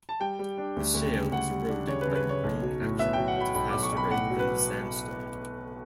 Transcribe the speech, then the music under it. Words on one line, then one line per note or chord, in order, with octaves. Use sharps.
The shale is eroded by marine action at a faster rate than the sandstone.
A5
G3 G5
G3
D4
D2
D2
C#3
D2 F#5
G3
D4
C#3 C#5
B4
C#3
B4
C#3 C#5
B1
F#3
A2
B3 E5
F#3 G5
F#5
F#3 B5
B1 B5
B1 D6
C#6
B1 B5
A2 F#5
F#3
B4
F#3